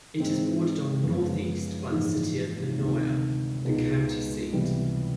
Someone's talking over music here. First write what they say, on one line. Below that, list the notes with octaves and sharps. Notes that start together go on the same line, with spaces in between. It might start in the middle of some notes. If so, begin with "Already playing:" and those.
It is bordered on the northeast by the city of Lenoir, the county seat.
G#2 E3 G#3 C4 D#4
F#2 C#3 F3 G#3 B3
A#1 G#2 E3 G#3
D2 C3 D#3
C#2 B2 G#3 B3 D#4
C#2 C3 E3 G3 B3